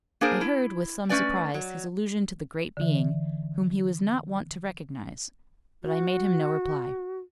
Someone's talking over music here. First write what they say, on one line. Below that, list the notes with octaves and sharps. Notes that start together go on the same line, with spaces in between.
I heard, with some surprise, his allusion to the Great Being, whom he was not wont to recognise; but I made him no reply.
A#3 D4 G#4 A#4 C5
E4
A3 C#4 B4 D5 G#5
F#3
D3 E3
F#4